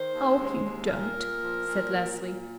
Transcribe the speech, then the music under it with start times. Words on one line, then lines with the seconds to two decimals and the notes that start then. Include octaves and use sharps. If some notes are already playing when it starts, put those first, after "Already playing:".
"Oh, you don't," said Leslie.
Already playing: D#3 C5
0.13 D#2
0.39 G#3
0.64 D#2
0.90 A#2 A#4
1.17 A#2
1.42 F3
1.67 A#2
1.93 A#2
2.19 A#2